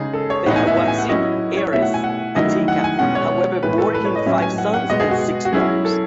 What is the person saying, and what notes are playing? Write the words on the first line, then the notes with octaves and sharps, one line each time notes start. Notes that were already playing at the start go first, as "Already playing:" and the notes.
The Hawazin heiress Atikah, however, bore him five sons and six daughters.
Already playing: C#3 G#3 D#4 G#4
A4
C#5
A2 E3 B3 D#4 F#5
G#5
E5
E5
G#5
F#5
F#3 C#4 E4 D#5
C#5
B2 A3 E4 E5
F#5
G#5
F#5
D#3 F#3 A3 E4 D#5
F#5
G#5
B2 G#3 C#4 F#5
C#5
A2 E3 G#3 B4
A4
B4
C#5
D#5
A2 F#3 C#4 E5
G#5
F#5
F#5
B2 G#3 B3 D#5
G#4
F#4
F#4
F#3 C#4 E4 G#4
A4